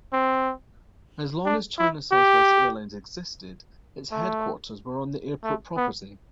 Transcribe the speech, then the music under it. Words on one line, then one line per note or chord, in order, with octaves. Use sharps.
As long as China Southwest Airlines existed, its headquarters were on the airport property.
C4
D4
E4
G4
A3
A3
B3